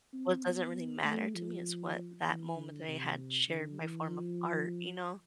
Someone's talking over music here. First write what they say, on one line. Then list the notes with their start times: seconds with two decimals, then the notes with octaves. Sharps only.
well, it doesn't really matter to me, it's what that moment that I had shared my form of art, you know?
0.13 C4
0.43 B3
1.05 A3
1.35 F3
2.27 E3
2.57 D3
2.88 C3
3.48 D3
3.79 E3
4.10 F3